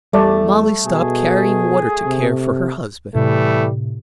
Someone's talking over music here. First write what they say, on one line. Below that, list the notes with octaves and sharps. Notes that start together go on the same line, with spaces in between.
Molly stopped carrying water to care for her husband.
E2 G3 A3 D5 A5
B2 G#4
C3
A2 C3 E3 G3 A3